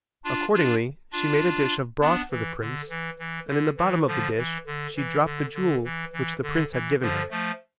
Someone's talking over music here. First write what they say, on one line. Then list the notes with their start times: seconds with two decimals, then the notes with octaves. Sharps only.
Accordingly she made a dish of broth for the prince and in the bottom of the dish she dropped the jewel which the prince had given her.
0.24 D4 F4
0.54 D4 F4
1.12 D4 F4
2.01 B3 D4
2.31 E3
2.61 D3
2.89 E3
3.19 E3
3.48 D3
3.77 E3
4.07 D3 F3
4.37 E3
4.66 D3
4.96 E3
5.25 D3
5.54 D3
5.84 E3
6.13 E3
6.43 D3
6.72 E3
7.01 D3 F3
7.31 F3 A3